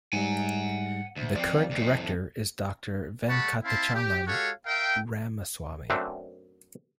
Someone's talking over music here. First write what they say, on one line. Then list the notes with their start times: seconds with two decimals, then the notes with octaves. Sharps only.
The current director is Doctor Venkatachalam Ramaswamy.
0.13 G#2 G3 F#5 G#5
1.16 D2
1.35 F3 C4 D5
1.71 F2 A2
3.28 G3 A3 F#5 A5 B5 C#6
3.64 C4 E4 F5 A5 B5 C6
3.94 G4
4.27 G#3 F#4 G4 A4 C#5 F5
4.65 A#4 E5 F5 G5
5.90 F#2 A3 C4 D4